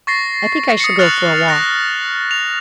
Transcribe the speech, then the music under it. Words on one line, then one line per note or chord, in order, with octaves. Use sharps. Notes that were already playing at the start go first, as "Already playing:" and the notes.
"I think I shall go for a walk."
C#6 A6 A#6 C7
D#6 C#7
F6 F#6 A6 C7 F7 F#7
F#6 A#6 C7 C#7
F7